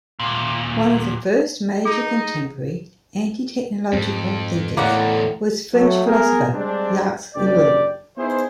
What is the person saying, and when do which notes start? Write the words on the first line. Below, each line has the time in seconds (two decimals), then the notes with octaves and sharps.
One of the first major contemporary anti-technological thinkers was French philosopher Jacques Ellul.
0.20 D#2 A#2
1.85 D#4 G#4
3.93 F2 G#2 C4
4.77 E2 A2 D3 A#3 D5 F#5
5.75 F#3 A3
6.06 B3 G#4 A#4
6.53 G3 G#3 C4 D4
7.35 F#1 D4 G4 D5
8.17 B3 D#4 E4 G#4 C5